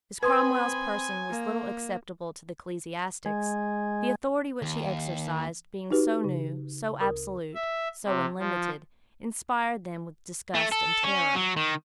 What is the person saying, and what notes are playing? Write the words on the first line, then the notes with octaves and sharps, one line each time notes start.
As Cromwell's person was little acceptable to the ecclesiastics, the authority which he exercised, being so new, so absolute, so unlimited, inspired them with disgust and terror.
C4 B4 G#5 B5 C6 D#6 G#6
A#3
G#3
D#2
D#4 F#4 G4 B4
C#3
D2 A#4 D#6
E5
C3
F3
A3
A4
C#4
F#3
D#3